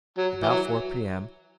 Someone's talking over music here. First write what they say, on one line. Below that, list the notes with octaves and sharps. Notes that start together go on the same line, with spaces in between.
About four p.m.
F#3
E3
F#3